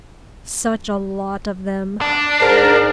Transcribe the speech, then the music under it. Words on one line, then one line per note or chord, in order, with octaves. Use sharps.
Such a lot of them!
D4
G#2 A#4